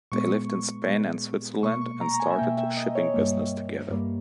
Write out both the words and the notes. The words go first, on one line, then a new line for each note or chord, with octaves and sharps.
They lived in Spain and Switzerland and started a shipping business together.
A#2 G#3 B3 C#6
A#2 G#3 B3
B2 A#3 C#6
C#6
A#5
A#5
G#5
E5
B2 A#3 G5
E5
D#5
C#5
G2 G3 A#3
G2 G3 A#3